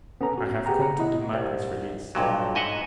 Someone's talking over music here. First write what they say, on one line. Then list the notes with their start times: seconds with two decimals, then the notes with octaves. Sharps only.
"I have come to demand his release."
0.21 B3 C#4 A4 A#5
0.38 F#4
0.66 B3 G4 G#4 F#5 G5 A#5
0.82 F#5 A#5
0.99 E4 D#5
1.33 C2
2.15 B1 G2 A#2 F#3
2.55 G#2 D#5 E5 F#5